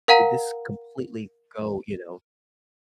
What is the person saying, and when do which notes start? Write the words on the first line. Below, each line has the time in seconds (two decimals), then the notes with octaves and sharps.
did this completely go, you know,
0.08 A#4 F5 F#5 A#5